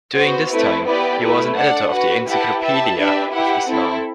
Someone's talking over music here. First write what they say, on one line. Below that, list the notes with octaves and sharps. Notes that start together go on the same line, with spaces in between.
During this time he was an editor of the Encyclopaedia of Islam.
B3 F#4 C5
A3 C4 E4 B4
B3 E4 G4 B4 D5
A3 E4 B4
D4 A4 D5 F#5
F#4 B4 F#5
E4 G4 B4 F#5 A5
G4 B4 E5 A5
D4 G4 B4 E5
E4 G4 B4 F#5
C4 E4 A4